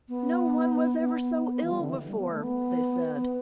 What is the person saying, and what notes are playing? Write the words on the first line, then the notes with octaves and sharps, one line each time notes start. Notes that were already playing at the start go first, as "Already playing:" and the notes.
"No one was ever so ill before," they said.
B3
B3
E3
G3
D3
E3
G3
B3
A3
B3
B3